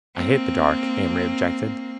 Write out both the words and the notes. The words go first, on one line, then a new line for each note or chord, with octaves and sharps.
"I hate the dark," Amory objected.
A#3 C4